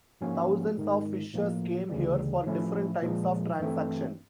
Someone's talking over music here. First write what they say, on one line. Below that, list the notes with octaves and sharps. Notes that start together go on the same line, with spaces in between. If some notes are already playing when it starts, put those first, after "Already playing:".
Thousands of fishers came here for different types of transaction.
G#2 F3 A#3 C#4 F#4
G#2 D#3 G#3
A2 F3 A#3
D2 C#3 E3 G3
A2 F3 A3 C#4 E4
A#2 F3 G#3
G2 E3 A3 C4